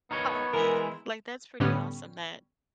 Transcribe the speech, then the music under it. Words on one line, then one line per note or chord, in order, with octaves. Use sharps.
Oh, man, like, that's pretty awesome that
B3 D#4 A#4 C#5
E3 G#3 E4 A#4
A2 D3 G3 B3 C#4